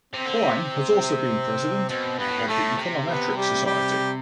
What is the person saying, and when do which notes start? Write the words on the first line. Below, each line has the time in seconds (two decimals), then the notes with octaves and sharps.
Klein has also been president of the Econometric Society.
0.14 C3 C4
0.25 D3
0.36 C3
1.89 B2 C4
2.18 G2 B3
2.28 A2
2.37 G2
2.48 A2 A3
2.78 C3
3.06 B3
3.36 G3 G4
3.65 G3 G4